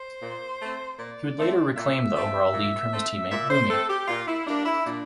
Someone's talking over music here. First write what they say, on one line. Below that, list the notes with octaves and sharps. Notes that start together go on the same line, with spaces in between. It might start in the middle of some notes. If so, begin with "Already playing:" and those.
He would later reclaim the overall lead from his teammate Buemi.
Already playing: C5
A#2
A3 C4
A#2 D5
F3 A3 C4
A#2 E5
F3 A3 C4
A#2
A3 C4
A#2 E5
C5
A3 C4 A4
G4
A#2 F4
E4
G3 A#3 D4
E4
A#2 D4